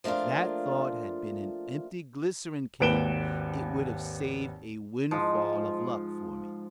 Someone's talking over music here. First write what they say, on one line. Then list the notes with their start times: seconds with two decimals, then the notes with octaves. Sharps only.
If that thought had been an empty glycerin-can, it would have saved a windfall of luck for me.
0.04 F3 A3 A#3 D4 F4
2.80 G#1 D#2 B4 D7 E7 G7
5.11 G#2 F3